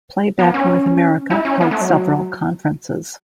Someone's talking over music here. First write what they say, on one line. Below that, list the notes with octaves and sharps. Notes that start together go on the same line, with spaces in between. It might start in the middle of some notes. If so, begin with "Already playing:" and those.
Playback North America held several conferences.
B3
C#4
E4
C#4
B3
A3
F#3